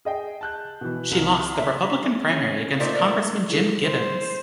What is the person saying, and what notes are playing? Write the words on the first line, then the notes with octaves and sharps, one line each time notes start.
She lost the Republican primary against Congressman Jim Gibbons.
G#4 D#5 G5
A5 F#6 G6
B2 E3
C2 E4 F#7
E5 A#5
C#4 G#4
A#2 A3 D#4 C5 D5
E4 G#4 A4
C5